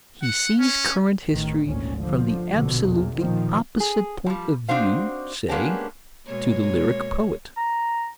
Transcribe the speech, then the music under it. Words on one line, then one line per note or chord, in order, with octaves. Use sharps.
He sees current history from the absolutely opposite point of view, say, to the lyric poet.
F#5
C#4
A1 D#3
G#1 D2 A#2 C#4
D3 F3
A#1 B2 D3
E2 A#2
A#2 D#3 F3
G#4
F3 G3
C4 D4 D#4 F#4 C5 F5
G#3 A#3 B3 C#4 D4 G4
B2 G#3 A#3 C#5
A#5